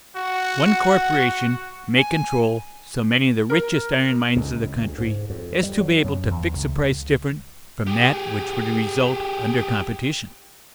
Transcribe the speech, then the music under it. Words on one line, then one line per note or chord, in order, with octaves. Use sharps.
One corporation may control so many of the richest iron-mines of the country as to be able to fix a price different from that which would result under competition.
F#4 F#5
G#5
A#4
C#2
D2
G#2
F2
G3
F#3
F#2
E2
C#2
G4 G#4